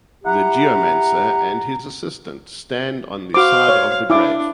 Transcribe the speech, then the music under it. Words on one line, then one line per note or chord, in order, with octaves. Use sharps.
The geomancer and his assistants stand on the side of the grave.
E4 G4 F#5 A#5
F#4 C5 F5 D6
C#5
D4 E4 D6